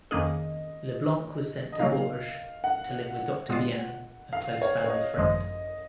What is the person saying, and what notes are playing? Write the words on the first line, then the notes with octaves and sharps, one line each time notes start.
Leblanc was sent to Bourges to live with Doctor Bien, a close family friend.
F2 D#3 A#3 C#4 G#4 D#5
D#5
C#3 F#3 A#3 D#4 F5
F#5
A#2 G#3 B3 F4
F5
C#5
C#5
D#5
G#1 F#2 F3 G#3 D#5